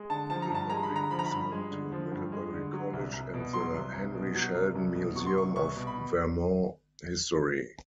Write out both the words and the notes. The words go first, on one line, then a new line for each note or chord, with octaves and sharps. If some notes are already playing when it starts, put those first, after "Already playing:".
Middlebury is home to Middlebury College and the Henry Sheldon Museum of Vermont History.
Already playing: G#3
D3 A5
F3 A5
A#5
G2 A5
G#3 A#5
B5
D3
A#5
F3 B5
A#5
B5
G2
G#3
D3
F3
G2
G#3
D3
F#3
C2
C2
B2
F#3 C6
C2
C2
B2
F#3
C2
C2
B2
F#3 C#6
C6
C2 C#6
C2 C#6
B2
B5